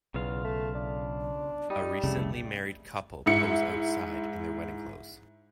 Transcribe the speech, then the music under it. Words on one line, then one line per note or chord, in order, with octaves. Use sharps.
A recently married couple pose outside in their wedding clothes.
B1 E2 C#3 F4 F5
A3
D4
G3 D#4
F1 C2 C#3 A3
G#2 E4 C#7